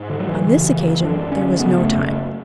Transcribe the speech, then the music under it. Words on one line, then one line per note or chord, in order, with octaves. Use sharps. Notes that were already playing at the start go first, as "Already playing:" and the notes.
On this occasion there was no time.
Already playing: G#2
D3
F#3
E3
F#2 C#3
F#2 D3 D4
C#4
F#2 C#3 B3
A3